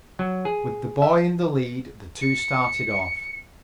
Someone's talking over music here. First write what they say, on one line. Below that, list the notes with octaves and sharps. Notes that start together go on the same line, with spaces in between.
With the boy in the lead the two started off.
F#3
G#4
E5
C#7